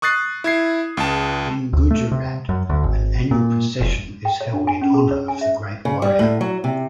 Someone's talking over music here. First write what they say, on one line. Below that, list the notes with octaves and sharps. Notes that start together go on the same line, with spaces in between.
In Gujarat, an annual procession is held in honor of the great warrior.
C#6 D#6 F#6 A6 C7
E4 G#6 C7
C#2 A5
D2
A3
C3
F#2
D2
G#1
A#2
F1
G5
C#5
D4
G#5
C#4
G#4
C#5
G#5
E5
C#3
G3
A2
F#3
C3